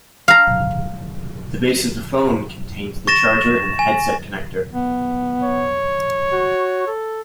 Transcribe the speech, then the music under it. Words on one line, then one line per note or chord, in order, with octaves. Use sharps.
The base of the phone contains the charger and headset connector.
F5 A#5
C#6 A6 A#6 E7
G#5
B3
C#5
F#4
A4